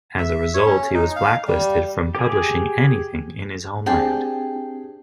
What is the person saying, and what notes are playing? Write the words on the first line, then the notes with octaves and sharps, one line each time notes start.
As a result, he was blacklisted from publishing anything in his homeland.
E5
C#5
C#4
D#4
F5
G3
G4 G#4
C4 D4 G4 G#4 G5 A5